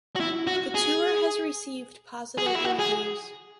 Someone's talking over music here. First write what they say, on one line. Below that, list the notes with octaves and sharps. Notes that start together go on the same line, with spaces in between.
The tour has received positive reviews.
F#4
E4
F#4
G#4
G#4
F#4
E4
F#4
G#4